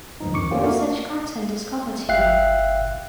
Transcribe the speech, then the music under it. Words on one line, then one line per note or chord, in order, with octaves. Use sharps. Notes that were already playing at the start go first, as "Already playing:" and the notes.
All such content is covered here.
D2 G2 F3 D#4
F2 D#3 C#6 D6 C#7
A3 A#3 C4 C#4 F4 G4
A3 A#3 F#4 F5
G1 E5 F5 G5 F#6 C7